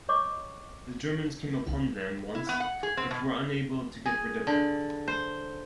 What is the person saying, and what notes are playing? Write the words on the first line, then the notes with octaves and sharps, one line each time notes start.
The Germans came upon them once but were unable to get rid of them.
C#5 D#5 C#6 D6
E4
B3
F#5
G#4
C4
B2
G#4
D3
C5